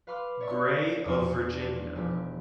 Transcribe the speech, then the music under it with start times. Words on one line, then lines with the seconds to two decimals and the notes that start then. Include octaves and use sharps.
Gray of Virginia.
0.07 B4 F5 B5 C6 D6 F6
0.40 C#5 D5 E5 C#6
1.05 E2 F3 C#4 D#4 F4 D7
1.52 D4
1.96 E1 F3 G4
2.11 E4